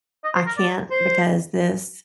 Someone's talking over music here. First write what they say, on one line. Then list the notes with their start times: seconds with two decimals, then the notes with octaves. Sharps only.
"I can't because 'this'"?
0.24 D#5
0.35 C5
0.46 A#4
0.57 D5
0.91 C5